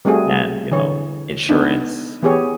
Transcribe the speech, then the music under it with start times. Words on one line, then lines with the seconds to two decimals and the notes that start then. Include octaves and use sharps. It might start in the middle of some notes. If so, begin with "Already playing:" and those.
and, you know, insurance
0.05 G3 A3 C4 F#4 G#4
0.72 D3 E3 C#5
1.49 B3 D4 D#4
2.23 E3 B3 G4 G#4 C#5